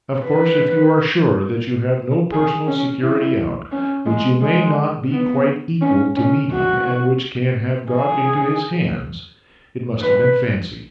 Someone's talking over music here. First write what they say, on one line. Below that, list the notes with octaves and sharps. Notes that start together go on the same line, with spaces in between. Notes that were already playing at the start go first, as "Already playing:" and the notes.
Of course if you are sure that you have no personal security out, which you may not be quite equal to meeting, and which can have got into his hands, it must have been fancy.
B4
G#4
C#4
E4
C#4
G#3
G#3
B3
C#4
C#4
F#4
G#4
B4